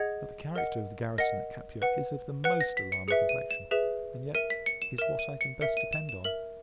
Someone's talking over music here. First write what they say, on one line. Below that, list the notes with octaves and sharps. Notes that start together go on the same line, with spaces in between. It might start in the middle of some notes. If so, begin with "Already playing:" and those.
But the character of the Garrison at Capua is of the most alarming complexion; and, yet, is what I can best depend on.
Already playing: G#4 D#5 F#5 G#6
A#4 D#5 F#5
A#4 D#5 F#5 A#6
B4 F#5
B4 F#5 F#6
A#6
B6
C#7
G#4 B4 E5 C#7
D#7
E7
G#4 B4 E5 E7
A#4 E5 D#7
B6
C#7
E7
A#4 E5 E7
D#7
C#7
A#4 E5 C#7
D#7
E7
E7
A#4 E5 F#7